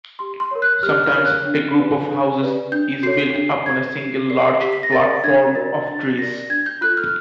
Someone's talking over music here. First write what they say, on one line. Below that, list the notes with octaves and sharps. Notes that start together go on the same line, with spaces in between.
Sometimes a group of houses is built upon a single large platform of trees.
G4 C6
C6
A#4 C#5
F#6
G4 F6
F6
A#4 C#5 F6
F#6
D4
G4 B4 D5
D4
G4 B4 D5
D4 G6
F#4 A4 C#5 C7
D4 C7
F#4 A4 C#5 G#6
G4 C7
A#4 D5 C7
G4 B6
B6
A#6
A#4 D5 A6
D4 G#6
F#4 A#4 D5 A6
D4 A6
F#4 A#4 D5 A#6
D4 G#6
G6
F4 A4 F#6
F6